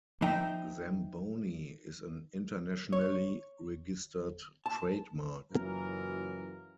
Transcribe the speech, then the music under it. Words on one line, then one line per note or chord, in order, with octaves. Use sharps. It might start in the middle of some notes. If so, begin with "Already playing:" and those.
Zamboni is an internationally registered trademark.
F3 D#4 E5 G5
C#5
A5
F#1 F#2 E3 F#3 F4 A#4